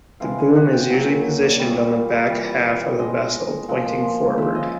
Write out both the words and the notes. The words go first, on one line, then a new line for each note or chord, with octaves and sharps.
The boom is usually positioned on the back half of the vessel, pointing forward.
C3 E3 G#3 F5
G#5
F#5
G5
A#2 F#3 G#5
G#5
D5
A#2 G3 C#5
C3 E3 G3
B2 G#3 D#5
A#2 F3 G#3
C#3 F3 G#3 E5
D#5